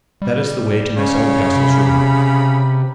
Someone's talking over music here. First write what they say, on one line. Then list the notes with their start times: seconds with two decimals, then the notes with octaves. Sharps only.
That is the way to Miss Oldcastle's room.
0.22 G3
0.97 C#3 C#5
1.56 C3 B5